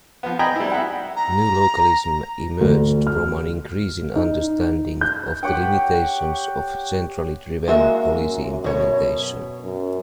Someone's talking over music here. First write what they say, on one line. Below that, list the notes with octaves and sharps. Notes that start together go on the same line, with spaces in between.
New localism emerged from an increasing understanding of the limitations of centrally-driven policy implementation.
F3 B3
D#5 G5 G#5 A#5 B5
G3 E4
E5 F#5
A#5
D2
F6
D#4
G6
G4 C#5 F#5 G5
G#3 A#3 F#4 E5
F#2
B2 C#5
F#2